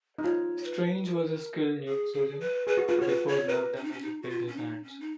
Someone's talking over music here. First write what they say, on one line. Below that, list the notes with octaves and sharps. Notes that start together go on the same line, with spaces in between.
Strange was a skilled neurosurgeon before nerve damage impaired his hands.
D#4
F4 C#5
B4
A#4
G#4
G#4
B4
G#4 B4
F#4
F4 B4
F#4 C#5
B4
C#5
A#4 B4
C#4
D#4
C#4
D#4
F#4
F4
C#4
D#4
C#4
D#4